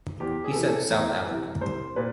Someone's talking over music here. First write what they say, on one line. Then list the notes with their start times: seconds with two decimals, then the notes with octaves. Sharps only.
He said, South Africa.
0.20 E2 G4
0.44 G#4
0.51 A4
0.55 C3 E3 G#4
0.67 A4
0.91 E2 A#4
1.26 C3 E3
1.61 C2 C5
1.96 A#2 B4